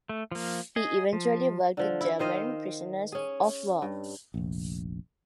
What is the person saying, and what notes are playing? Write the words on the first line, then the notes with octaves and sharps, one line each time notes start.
He eventually worked with German prisoners of war.
A3
F3 A#3
G#4 D#5
F3
D3 F3
E4
D#3 C5 D#5 F5
C#4 G#4
G2
F1 A#1